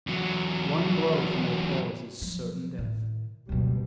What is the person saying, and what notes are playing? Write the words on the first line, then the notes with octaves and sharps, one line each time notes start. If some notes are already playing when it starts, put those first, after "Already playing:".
One blow from their paws is certain death.
E2 F#3
F3 F#3
A2 D#3
F#1 D2 B2 F#3 G3